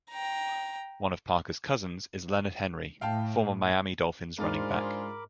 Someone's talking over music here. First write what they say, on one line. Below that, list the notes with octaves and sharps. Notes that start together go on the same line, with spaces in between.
One of Parker's cousins is Leonard Henry, former Miami Dolphins running back.
G5 A#5
A2 F5 G5 A5
G#2 D4 F4 G#4 A#4 C5 B5 D6